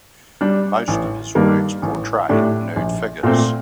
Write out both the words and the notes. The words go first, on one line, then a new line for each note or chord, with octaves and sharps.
Most of his works portray nude figures.
G3 D4
A1
G2 D#3 G3 A#3
A1
A2 A3 D4 G4
A#1
A#2 A3 C4